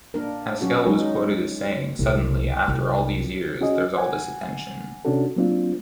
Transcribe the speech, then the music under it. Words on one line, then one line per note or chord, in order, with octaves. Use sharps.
Haskell was quoted as saying, Suddenly, after all these years, there's all this attention.
A#3 D4 A#4
F#3 C#4 F#4 G#4
F#3 G#3 D#4
C2
C2
C#4 F#4 G#4 D#5
F#5 G#5
C3 C#4 D4 F#4 A4
F#3 A#3 C4 D4 F4